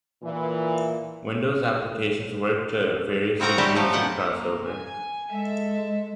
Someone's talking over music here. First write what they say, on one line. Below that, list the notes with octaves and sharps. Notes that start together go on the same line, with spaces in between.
Windows applications work to various degrees in CrossOver.
A#2 E3
C#3 C4 F#4 A#4 A#5
G3 A3 C#4 G4 A5
F3 F#3 A3
B2 F#5 G5
A#3
G#5
G#3 A4 E5